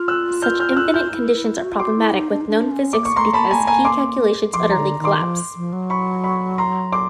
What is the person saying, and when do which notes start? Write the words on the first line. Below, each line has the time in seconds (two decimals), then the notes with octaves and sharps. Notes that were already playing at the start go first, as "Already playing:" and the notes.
Such infinite conditions are problematic with known physics because key calculations utterly collapse.
Already playing: F4 F6
0.08 E6 F#6
0.42 F6 G6
0.60 F6 G6
0.72 F6
0.77 E6 F#6
0.94 F6 G6
1.11 E4
1.34 E4
1.57 F4
1.64 F#4
1.71 F4
1.79 F#4 C6 D6
1.96 E4
2.13 D#4
2.31 D4
2.41 D#4
2.48 D4
2.71 C#4
2.93 A#3 D6
3.05 C#6
3.16 A3 A#5 C6
3.33 A#3 A5 B5
3.50 A#3 G#5 A#5
3.60 A3
3.67 A#3 G#5 A#5
3.85 C6 D6
4.53 F3 C6 D6
4.70 A#5 C6
4.76 D3
4.99 D#3
5.04 C6 D6
5.21 F3
5.56 F3
5.73 F#3
5.90 B5 C#6
6.24 B5 C#6
6.58 A#5 C6
6.92 C6 D6